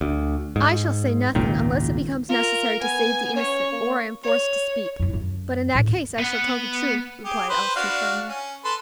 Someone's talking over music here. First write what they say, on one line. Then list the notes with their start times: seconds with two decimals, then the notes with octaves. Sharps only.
"I shall say nothing, unless it becomes necessary to save the innocent, or I am forced to speak; but in that case I shall tell the truth," replied Elsie, firmly.
0.01 D2
0.56 G#2
1.35 G#1 C#2 A#2 D#3
2.29 F4 A#4
2.81 B3 G#5
3.36 C#4 C#5
3.72 A#3
4.23 C#5
5.00 F2 E4
5.13 F#2
5.75 C#2 A2
6.18 B3 F#5
7.25 G4 G#4
7.49 B4 C5
7.76 D4 F#4 F5
8.29 C#4
8.65 A4 B4 C6